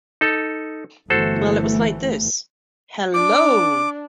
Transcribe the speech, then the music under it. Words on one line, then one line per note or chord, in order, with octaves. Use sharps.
Well, it was like this — hello!
D#4 A4
G1 E3 A3 F#4 A4 C5
D4 D6